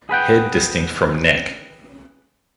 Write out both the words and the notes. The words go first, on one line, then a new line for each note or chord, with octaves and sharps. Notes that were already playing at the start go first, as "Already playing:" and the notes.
Head distinct from neck.
G#4 B4 F#5 G5